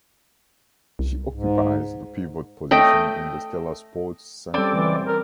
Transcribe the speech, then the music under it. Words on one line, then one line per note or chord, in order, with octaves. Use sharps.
She occupies the pivot position in the Stella Sports Saint-Maur.
C2
G#2
A3 D#5 G5
G3 C4 C#4 A4 D5
E3
A#4